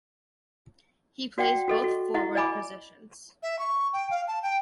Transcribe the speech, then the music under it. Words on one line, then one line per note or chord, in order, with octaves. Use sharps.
He plays both forward positions.
F#4 D5 F#5 G5
F#4 A4 D#5
F#4 C#6
E4 D#5 F#5 C#6
D5 D#5 G#5 B5 D6
E5
C#6
G5
F5
A5
G5